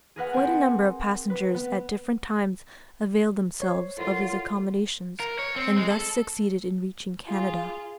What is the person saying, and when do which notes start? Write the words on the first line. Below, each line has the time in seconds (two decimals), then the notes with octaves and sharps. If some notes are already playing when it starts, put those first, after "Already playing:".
Quite a number of passengers at different times availed themselves of his accommodations and thus succeeded in reaching Canada.
0.16 G#4 A#4 B4 F#5
0.33 C4 G#5
1.30 B4
1.54 B3
3.62 C5 C#5
3.97 F4 A4 A#4 F#5
5.20 A#4
5.39 C#5
5.56 C4
5.78 G#3
5.90 A4
7.28 F4 G#4